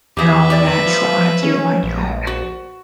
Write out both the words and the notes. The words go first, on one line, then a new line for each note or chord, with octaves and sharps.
and all of that so I did like that.
E2 G4 G#4 B4 E5
G4 D5
F3
C#4
A#1
F#4